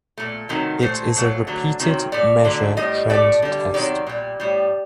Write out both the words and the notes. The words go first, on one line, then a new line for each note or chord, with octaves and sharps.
It is a repeated measure trend test.
A#2 A3
C3 D#3 F#3 A3
A#2 A3 C5
A#2 F#3 A3
D3 F#3 A3
C3 D#3 F#3
A2 A3 D5
D3 F#3 A3
A2 G3 D#5
A2 A3 D5
D3 G3
C3 D#3 F#3 D5
A#2 G3
A2 G3